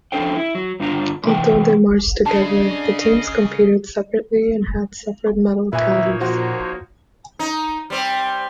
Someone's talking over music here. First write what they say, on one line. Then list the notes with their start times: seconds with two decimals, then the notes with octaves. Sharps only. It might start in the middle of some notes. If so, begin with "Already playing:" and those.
Although they marched together, the teams competed separately and had separate medal tallies.
0.12 F2 C#4 D4 A4 C5 G5
0.35 E4
0.55 F#3
0.80 G2 D3 D4 F4 A#5
1.24 A2 C3 E3 G5
2.26 C#3 D4 D#5 A5 C7
5.73 A#2 A#3 D#4 B4 C#5 E5 G#5
6.21 F3 F#4 C5
7.39 D#4
7.90 G3 C4